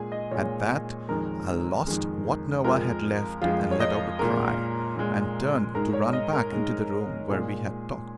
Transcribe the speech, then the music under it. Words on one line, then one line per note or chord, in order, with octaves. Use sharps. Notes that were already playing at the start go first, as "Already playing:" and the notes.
At that I lost what nerve I had left, and let out a cry, and turned to run back into the room where we had talked.
Already playing: A#2 G#3 G#4 G#5
D#5
A#2 G#3 C#5
F2 D#3 G#3 A#4
F2 D#3 G#3
F2 F3 G#3 A#4
F2 F3 G#3 F4
C#5
D#5
A#2 G#3 A#4
A#2 G#3
G#2 G#3 A#4
C#5
D#5
A#4
G#2 G#3
A#2 G#3 G#4